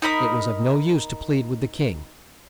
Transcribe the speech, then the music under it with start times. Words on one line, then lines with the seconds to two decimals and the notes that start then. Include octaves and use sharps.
It was of no use to plead with the king.
0.02 D#4 A#4 B5 D#6